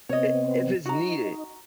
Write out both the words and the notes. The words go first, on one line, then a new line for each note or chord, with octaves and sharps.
er, if it's needed.
C3 B3 C4 C#5 D#5
D#4 F#4 A#5